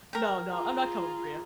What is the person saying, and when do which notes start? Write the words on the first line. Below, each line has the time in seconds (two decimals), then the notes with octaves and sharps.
No, no, I'm not coming for you.
0.13 A#4 G5
0.52 F4 G#4 A#5